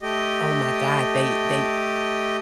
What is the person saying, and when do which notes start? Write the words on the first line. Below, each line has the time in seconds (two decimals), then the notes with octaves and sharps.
oh my god, they they
0.01 A3 G4 D#5